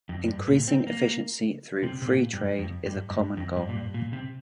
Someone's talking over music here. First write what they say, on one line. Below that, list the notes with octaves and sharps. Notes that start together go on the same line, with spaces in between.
Increasing efficiency through "free trade" is a common goal.
F2
G2
A#2
C4
A#3
C3
C3
A#2
G2
F2
G2
G2
F2
G2
A#2
G2
A#2
C3